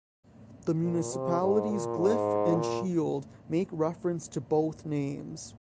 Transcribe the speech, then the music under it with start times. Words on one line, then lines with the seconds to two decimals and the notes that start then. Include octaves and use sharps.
The municipality's glyph and shield make reference to both names.
0.83 A#2
1.12 C3
1.41 G#2
1.70 A#2
1.98 G#2
2.56 A#2